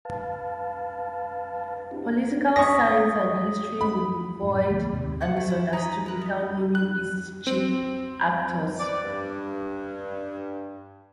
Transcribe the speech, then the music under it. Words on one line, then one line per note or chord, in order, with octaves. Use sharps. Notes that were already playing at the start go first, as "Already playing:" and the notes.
Political science and history would be void and misunderstood without naming its chief actors.
B4 F5 A5
C4 D4 E4 F#4 G4
C#6 D#6 A#6 B6
B5
F#2 A2
C#2 E3 A3 A#3
D#2 G#2 C3
C5 F#5 A5
A3 E4
E4
D#4 D#5 B5
A#4 B4
B3
F#6
C4
B3 C4 D5
G2